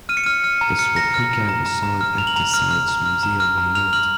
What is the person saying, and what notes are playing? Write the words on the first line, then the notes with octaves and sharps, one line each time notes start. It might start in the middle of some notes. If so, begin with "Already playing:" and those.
This replica resides at the Science Museum in London.
F6 D#7
C#7
F6 D#7
F6
A#5
F6 C#7
A#5 A#6
F6
A#5
A#5
A#5
A#5
F6
A#5 F7
F#7
A#5 F7
F6
F6
A#5
F6
A#5
F6
A#5
F6 F7
F6 F#7